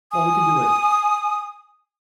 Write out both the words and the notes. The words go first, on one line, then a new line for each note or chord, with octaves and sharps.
Well, we can do, like,
G#5 D#6